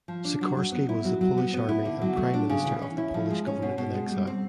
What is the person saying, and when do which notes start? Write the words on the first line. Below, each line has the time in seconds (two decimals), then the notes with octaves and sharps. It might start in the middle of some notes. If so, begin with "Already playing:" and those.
Sikorski was the Polish Army and Prime Minister of the Polish government in exile.
0.08 F3
0.25 D4
0.41 F#3
0.57 F#3
0.72 B3
0.89 E4
1.05 F#3
1.21 F#3
1.38 B3
1.54 B3
1.69 E4
1.85 D3
2.01 F#3
2.17 A3
2.34 D4
2.49 C#3
2.65 E3
2.82 C#4
2.98 E4
3.14 F3
3.30 G#3
3.47 C#4
3.62 B2
3.78 B2
3.94 G#3
4.11 G3
4.27 C4